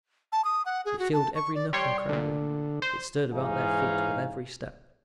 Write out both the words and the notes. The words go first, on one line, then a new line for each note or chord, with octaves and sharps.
It filled every nook and cranny; it stirred about their feet with every step.
A5
D#6
F#5
G#4
F#4
A5
C#6
D5
G3 C#5 D5 G5 C6
D2 A#2 D3
C5
G#2 E3 C#4 D#4 G#4 F5